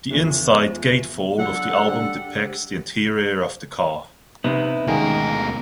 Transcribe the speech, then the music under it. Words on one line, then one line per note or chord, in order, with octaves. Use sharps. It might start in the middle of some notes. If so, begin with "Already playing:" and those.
The inside gatefold of the album depicts the interior of the car.
G1 E2 F3
D3 F#3 A4 F#5
G3 D4 G4
C3 B3 D#4 E4
D2 B2 D#3 G#3 C#4 A#4 F5